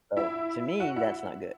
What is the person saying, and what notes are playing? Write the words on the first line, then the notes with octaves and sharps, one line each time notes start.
So, to me, that's not good,
E4 E5
F#4 F#5
E4 E5